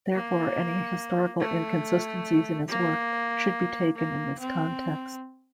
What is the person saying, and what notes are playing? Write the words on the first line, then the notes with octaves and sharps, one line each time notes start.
Therefore, any historical inconsistencies in his work should be taken in this context.
A#3
A3
A#3
A#3
C4